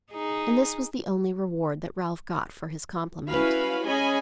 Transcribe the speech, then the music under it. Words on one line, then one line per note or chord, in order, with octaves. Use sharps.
And this was the only reward that Ralph got for his compliment.
D#4 G#4
C#4 E4 F#4 B4 F5 B5
C#4 G#4 C#5 D#5 G#5 B5